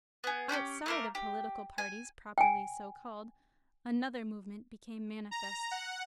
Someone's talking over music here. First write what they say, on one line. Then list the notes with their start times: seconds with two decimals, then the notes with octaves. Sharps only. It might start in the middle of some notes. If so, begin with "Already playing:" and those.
Outside of political parties properly so called, another movement became manifest.
0.24 B3 G#4
0.49 C#4 F#4 G4 G6
0.86 A3 A#3 A#4
1.15 G4
1.78 G#5
2.38 G5 G#5
5.31 A#5
5.71 F#5